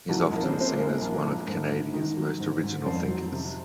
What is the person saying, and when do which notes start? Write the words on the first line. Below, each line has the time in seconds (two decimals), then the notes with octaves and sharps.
He is often seen as one of Canada's most original thinkers.
0.09 A#1 F#3 F#4
0.26 G#3 G#4
0.32 A#1 A#4
0.43 C4 C5
0.55 A#2
0.60 C4 C5
0.78 G#3 A#3 A#4
1.01 A#1
1.25 A#1
1.48 G#2
1.71 G#2
1.93 D#3
2.17 F#3
2.40 G#2
2.63 G#2
2.86 F2 C4 C5
3.09 F#3
3.32 C3